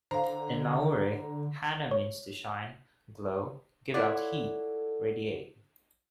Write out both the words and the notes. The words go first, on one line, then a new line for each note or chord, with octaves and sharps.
In Maori, "Hana" means to shine, glow, give out heat, radiate.
D3 C5 F5 A#5
C#5
E4 F4 A4 C#5 D5 F#5